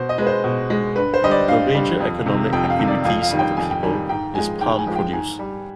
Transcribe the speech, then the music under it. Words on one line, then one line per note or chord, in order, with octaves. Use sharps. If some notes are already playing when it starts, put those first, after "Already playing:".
The major economic activities of the people is palm produce.
Already playing: B2 C5
D#5
G#3 B4
C5
B2
G#3
G2 B4
C5
D3 G3 D#5
D5
G2 F5
D3 G3
F2
C3 D#3
F2 G5
G5
F5
C3 D#3
D5
F2 F5
F5
D#3 G3
G5
F2 G#5
G5
D#3 G3 G#5
G#2 G5
F3 G#3 G#5
G#2 G5
G#5
F3 G#3
G5
G#2 G#5
G3